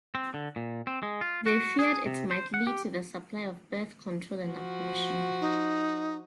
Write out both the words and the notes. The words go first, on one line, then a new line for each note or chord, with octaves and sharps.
They feared it might lead to the supply of birth control and abortion.
C4
D3
A#2
C4
G#3
F4
F#4
G#4
C3
C5
F#5
G4
F3 F#4
D#4